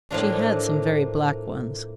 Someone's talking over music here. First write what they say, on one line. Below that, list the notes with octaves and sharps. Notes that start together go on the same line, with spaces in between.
She had some very black ones.
A2 F3 A#3 D4